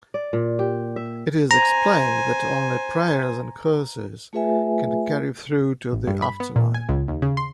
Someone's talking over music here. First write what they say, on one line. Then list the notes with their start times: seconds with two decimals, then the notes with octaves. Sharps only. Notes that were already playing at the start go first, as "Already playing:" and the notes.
It is explained that only prayers and curses can carry through to the afterlife.
0.14 D5
0.33 A#2
0.59 G4
0.96 E5
1.51 C5 G#5 A#5
4.33 A3 F4 G#4 B4 E5 G#5
5.93 A1
6.07 G2
6.22 B5
6.40 B3
6.56 A#2
6.74 G#5
6.89 C#2
7.08 D#2
7.22 C#3
7.37 C6